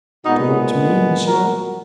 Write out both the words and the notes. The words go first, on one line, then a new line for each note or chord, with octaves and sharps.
"Towards me, monsieur?"
A#2 G#3 B3 D#4 F#4
F#4 A#4